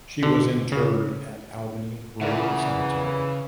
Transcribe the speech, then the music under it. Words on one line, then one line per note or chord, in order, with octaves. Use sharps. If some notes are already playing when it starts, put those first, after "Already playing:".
She was interred at Albany Rural Cemetery.
D3
C#3
C#3 E3 A#4 D5 E5 F#5